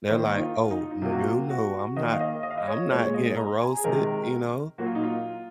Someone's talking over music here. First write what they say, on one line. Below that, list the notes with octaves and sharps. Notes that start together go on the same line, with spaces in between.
they're like, "Oh, no, no, I'm not I'm not getting roasted." you know?
D#3 A#3 C5
D#4
F4
D#4
F4
D#4
C3 F#3 A#3 F4
F#4
F4
F#4
D#3 A#3 D#5
F5
D#5
D#5
F5
D#5
C#5
A#2 G#3 C#5
D#5
A#5
G#5
G#4
C3 D#3 G#3 A#4
A#2 F#3 A#3 F#4
F4
D#4
F4